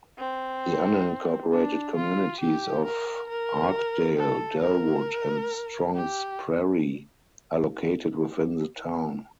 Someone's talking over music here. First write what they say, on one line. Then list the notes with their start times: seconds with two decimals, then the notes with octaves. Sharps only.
The unincorporated communities of Arkdale, Dellwood, and Strongs Prairie are located within the town.
0.19 C4
1.52 D4
1.96 F4
2.40 G4
2.85 A#4
3.29 A#4
4.17 A4
4.62 A#4
5.95 G4